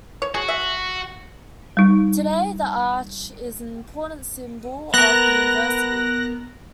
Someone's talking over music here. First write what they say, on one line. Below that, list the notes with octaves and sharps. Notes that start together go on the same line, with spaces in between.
Today, The Arch is an important symbol of the University.
C#5
F#4 G#4
E5
G3 D#4
B3 A#4 F#6 A#6